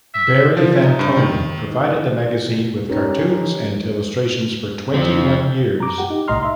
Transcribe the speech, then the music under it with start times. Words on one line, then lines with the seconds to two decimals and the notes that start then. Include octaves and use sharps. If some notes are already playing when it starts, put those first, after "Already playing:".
Barry Fantoni provided the magazine with cartoons and illustrations for twenty-one years.
0.14 E5
0.57 F3
0.85 D#4
0.99 G2
1.17 D#3
2.89 C#4 D#4 G4 A#4 B4 C#5
4.94 F2 C4
5.80 A#5 D6
5.98 G4 F#5
6.10 D#4
6.28 C2 A2 D#5 A#5 C6 F6
6.43 E5 C6